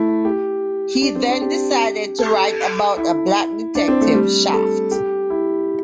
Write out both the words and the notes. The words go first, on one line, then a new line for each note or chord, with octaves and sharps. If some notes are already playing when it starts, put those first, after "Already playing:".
He then decided to write about a black detective, "Shaft".
Already playing: A3 E4
G4
D4
C4
D4
G4
A4
E4
D4
C4
A3
G3
A4
G4
E4